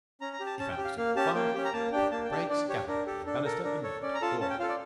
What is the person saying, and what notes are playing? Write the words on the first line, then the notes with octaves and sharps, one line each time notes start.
He found a suitable farm and, applying the brakes, gathered up William Bannister and knocked at the door.
C#4 A#5
A#5
G4
A5
C#4 A5
G5
G4
F5
A#3 F5
C#4 G4 A5
A#3 G5
C#4 G4
A#5
A#3 A5
D4 G4 G5
A#3 A5
G5
D4 G4 A5
G5
D4 D5
G4 C#5
D4 A#4
G4 A4
D4 A4
A4 A#4
D4 A#4
A4 C#5
C#4 D5
A#5
F4 A4 A5
C#4 A5
G5
F4 A4 F5
D5